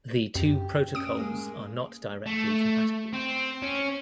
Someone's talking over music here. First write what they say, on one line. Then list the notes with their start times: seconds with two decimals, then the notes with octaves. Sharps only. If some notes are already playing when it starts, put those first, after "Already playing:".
The two protocols are not directly compatible.
0.35 F#2 G4
0.95 C#4 D#6 D7
1.17 G#3 A#3
2.26 A3
3.13 C4
3.62 C#4